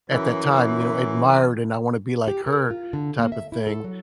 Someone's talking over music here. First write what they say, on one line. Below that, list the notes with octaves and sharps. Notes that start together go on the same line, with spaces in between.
at that time, you know, admired and "I wanna be like her" type of thing.
F#2 E3
G4
A#4
F4
D3
A#3
E5
E4
A4
F#3